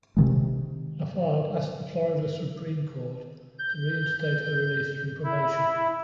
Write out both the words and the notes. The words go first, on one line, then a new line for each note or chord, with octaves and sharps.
Lafave asked the Florida Supreme Court to reinstate her release from probation.
C3 D#3 G#3
G6
E4